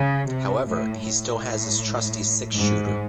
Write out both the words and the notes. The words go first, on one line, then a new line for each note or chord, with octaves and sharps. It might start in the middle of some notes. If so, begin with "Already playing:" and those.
However, he still has his trusty six-shooter.
Already playing: C#3
C3
A2
A2
G#2